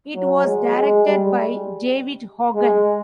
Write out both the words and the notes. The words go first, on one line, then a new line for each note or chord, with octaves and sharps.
It was directed by David Hogan.
F#3
G#3
G#3
G3
G#3